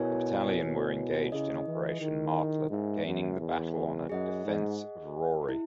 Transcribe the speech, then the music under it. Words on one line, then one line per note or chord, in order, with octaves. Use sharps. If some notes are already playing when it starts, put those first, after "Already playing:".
The Battalion were engaged in Operation Martlet gaining the Battle Honour "Defence of Rauray".
Already playing: B2 E4 A#4 C#5 G#5
B2
C#3 E4 G#4 D#5
E3
D#3
G#2 D#4 A#4 E5 G#5
F#2
E2
F#2 G#4 D#5 F#5
G#2
E4